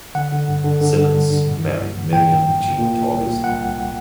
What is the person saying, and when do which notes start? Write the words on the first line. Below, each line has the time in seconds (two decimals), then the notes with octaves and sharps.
Simmons married Miriam Jean Torgerson.
0.15 D3 F#5
0.32 D3
0.48 G2
0.64 D3
0.81 D3
0.97 D3
1.14 G2
1.30 G2
1.47 A#2
1.63 A#1
1.79 A#1
1.96 A#1
2.12 A#2 G5
2.29 A#1
2.45 A#1
2.62 A#1
2.78 A#2
2.95 A#2
3.11 C2
3.27 A#2
3.44 C2 F#5
3.60 C2